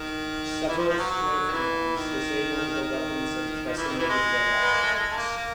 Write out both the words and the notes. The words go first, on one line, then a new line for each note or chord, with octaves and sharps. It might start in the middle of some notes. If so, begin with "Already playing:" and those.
Several strafing runs disabled the weapons and decimated their operators.
Already playing: D#3
E3
F3
F3
F#3
F#3
D#3
E3
D#3
D#3
F3
E3
D#3
E3
G#3
B3
A#3
A3
G#3
A3
A#3
A#3